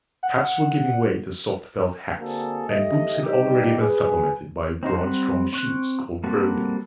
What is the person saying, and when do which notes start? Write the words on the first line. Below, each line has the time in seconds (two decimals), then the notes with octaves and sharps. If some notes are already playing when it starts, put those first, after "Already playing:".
Caps were giving way to soft felt hats, and boots had already been supplanted by broad, strong shoes, called brogans.
0.23 F#5
2.18 D3 A#3 C4 F#4 G#4 A4
2.67 D#2 D#3 A3 G4 D#5
3.21 G2 D#4 G4
3.79 G#4 B4
4.83 C4 D#4 F#4 C5
4.98 G3 C4 F#5
5.53 C4 C#6 F#6
6.24 G3 A#3 C4 F#4 A4